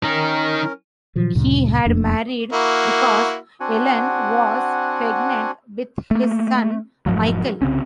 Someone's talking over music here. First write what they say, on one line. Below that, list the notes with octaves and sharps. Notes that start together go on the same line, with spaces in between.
He had married because Ellen was pregnant with his son, Michael.
D#3 C#4 D#4 A#4
A#2 D#3 F3 F#3
D2 G2 A#2 C#3
E1 F2 A#3 D4
A#3 E4 F#4
C4 D4 F#4 F#5 G#5
A3 A#3
F1 G#2 F3 F#3
C2 C#3 C4 C#4